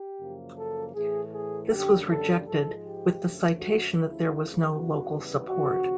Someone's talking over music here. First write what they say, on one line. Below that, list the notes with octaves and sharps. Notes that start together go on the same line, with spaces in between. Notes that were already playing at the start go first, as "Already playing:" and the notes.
This was rejected, with the citation that there was no local support.
Already playing: G4
F#2 C#3 F3 A#3
A4
A2 E3 A3 G#4
G#4
F#2 D3 G3 A#3 G4
A4
G#2 F3 G#3 A4
G4
F#2 D3 F3 A3
F#4
D2 C#3 F3 E4
E2 C#3 E3 G3 B3 F#4
D#2 C#3 F3 F#4